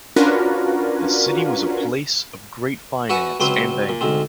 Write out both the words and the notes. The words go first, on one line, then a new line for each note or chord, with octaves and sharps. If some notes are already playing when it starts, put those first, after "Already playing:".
The city was a place of great finance and banking.
C#4 D4 F4 F#4 A#4 B4
F#4 B4 E5 F#5 G#5
C#2 F#3 C4 B4 C6
A#2
D2 G#2 C4